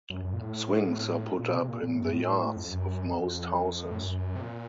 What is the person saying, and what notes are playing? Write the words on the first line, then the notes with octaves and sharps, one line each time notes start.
Swings are put up in the yards of most houses.
F#2
F#2
A#2
A2
A#2
C3
A#2
A#2
A2
F#2
A2
F2
F#2
F2
A2
F#2
C3
A#2